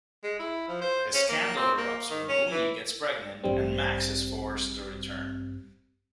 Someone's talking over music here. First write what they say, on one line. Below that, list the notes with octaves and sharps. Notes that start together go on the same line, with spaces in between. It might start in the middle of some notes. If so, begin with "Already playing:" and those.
A scandal erupts when Boonyi gets pregnant and Max is forced to return.
G#3
E4
F3
C5
C#4
A#3
C4
A#3
D#3
C#4
E3
A1 G2 G3 C4